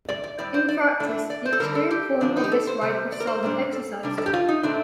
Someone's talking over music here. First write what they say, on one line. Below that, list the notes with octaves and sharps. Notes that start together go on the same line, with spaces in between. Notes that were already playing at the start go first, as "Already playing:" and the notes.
In practice, the extreme form of this right was seldom exercised.
D5
D5
A2 G3 C4 D5
C5
D5
A2 A3 D4
D5
C5
A4
D3 G3 D4 A#4
A4
G4
A#2 F3 A#3 D4
D#4
G4
A4
C5
C3 G3 C4
D5
A#4
C5
A#2 G3 D4
A4
C3 G3 D4
A4
G4
F4
D#4
A#2 A3 C4 D4